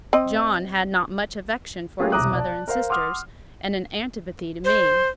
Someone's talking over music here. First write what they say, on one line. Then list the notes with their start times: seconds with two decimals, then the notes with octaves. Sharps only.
John had not much affection for his mother and sisters, and an antipathy to me.
0.13 C4 D#5
1.99 A3 A#3 C#4 F4 G4 G#4
2.12 E1 C2 A#5 D6 D#6 F#6
2.35 D5 A5
2.68 A#4 C5 F5
2.89 F#5 C6 D6 D#6 F6
4.65 C5